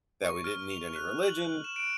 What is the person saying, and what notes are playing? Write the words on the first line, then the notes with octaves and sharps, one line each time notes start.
that we didn't need any religion,
C#6
F6
F7
F#6
F#7
F#6
E7
D7